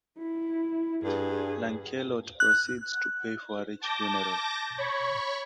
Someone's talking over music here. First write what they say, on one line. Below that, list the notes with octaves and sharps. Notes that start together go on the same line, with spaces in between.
Lancelot proceeds to pay for a rich funeral.
E4
G2 G#4
F#6
A5 D6 G6 A#6
C#5 B5 C#6